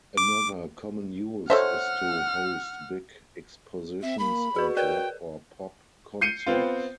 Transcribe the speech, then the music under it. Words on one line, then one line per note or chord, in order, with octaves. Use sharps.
Another common use is to host big expositions and rock or pop concerts.
D6
A4 C5 C#5 D#5 E5 F#5 F6
C4 E5
A#3 B5
F#4 G#4 B4
A#4 B4 G5
G6 C7 C#7 D#7
B3 C4 F4